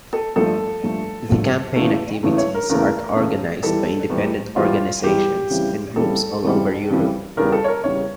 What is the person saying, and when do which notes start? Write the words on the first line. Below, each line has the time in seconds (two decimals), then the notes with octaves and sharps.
The campaign activities are organised by independent organisations and groups all over Europe.
0.13 A4
0.36 G2 F3 A3 A4
0.83 G2 F3 A3
1.29 G2 F3 A3
1.76 E2 C#3 E3 A3
2.23 E2 C#3 E3 A3
2.38 C#5
2.54 A#4
2.70 E2 C#3 E3 A3 A#4
3.16 E2 C#3 E3 A3
3.63 E2 E3 G3 A4
4.10 E2 E3 G3
4.56 E2 E3 G3 F4
5.03 E2 E3 G3 G4
5.50 F2 C#3 E3 G3
5.96 F2 C#3 E3 G3 A4
6.44 F2 C#3 E3 G3
6.90 F2 C#3 E3 G3
7.37 E2 C#3 G3 A#4
7.52 A4
7.64 C#5
7.68 A#4
7.84 E2 C#3 G3 C#5